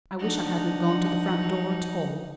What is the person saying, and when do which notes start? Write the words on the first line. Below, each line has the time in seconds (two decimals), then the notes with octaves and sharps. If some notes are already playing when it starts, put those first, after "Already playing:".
I wish I hadn't gone to the front door at all.
0.19 F3 D4 D#4 F#5